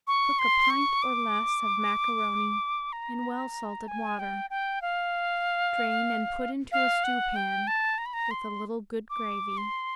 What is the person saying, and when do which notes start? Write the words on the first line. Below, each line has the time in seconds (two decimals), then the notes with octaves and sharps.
Cook a pint or less of macaroni in well salted water; drain and put into a stew pan, with a little good gravy.
0.07 C#6
0.39 C6
0.70 C#6
1.02 D6
2.93 A#5
3.88 G#5
4.19 G5
4.50 G5
4.82 F5
6.72 F5
7.04 F#5
7.36 G5
7.67 A5
7.98 A#5
8.06 B5
8.13 A#5
8.31 C6
9.10 D6
9.58 C6